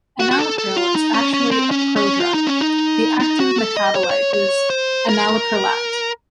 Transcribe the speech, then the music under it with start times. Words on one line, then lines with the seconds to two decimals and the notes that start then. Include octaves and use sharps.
Enalapril is actually a prodrug; the active metabolite is enalaprilat.
0.20 F#4
0.31 F#4
0.39 A4
0.58 A4
0.77 F4
0.96 D#4
1.14 C#4
1.34 C#4
1.51 C4
1.71 C#4
1.96 C#4
2.20 F4
2.34 D#4
2.47 C#4
2.61 D#4
3.20 D#4
3.40 F#4
3.58 A4
3.77 D#5
3.95 C#5
4.04 C5
4.11 C#5
4.33 C#5
4.70 C5
5.09 A#4